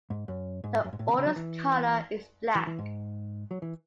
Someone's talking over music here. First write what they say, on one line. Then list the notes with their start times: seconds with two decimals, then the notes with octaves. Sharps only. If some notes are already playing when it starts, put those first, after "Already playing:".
The Order's colour is black.
0.10 G#2
0.28 F#2
0.64 G#2
0.85 F#2
0.93 G#2
0.99 A2
1.08 C3
1.14 D#3
1.18 C#3
1.26 F#3
1.36 E3
2.55 E3
2.67 E3
2.79 G#2
3.51 F#3
3.62 E3